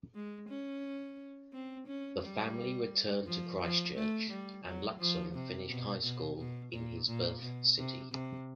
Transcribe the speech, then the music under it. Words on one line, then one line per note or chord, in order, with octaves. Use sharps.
The family returned to Christchurch and Luxon finished high school in his birth city.
G#3
C#4
C4
C#4
G3
F3
F3
A3
G3
F#3
F3
C3
B2
B2
B2
A#2
A#2
B2
C3
C3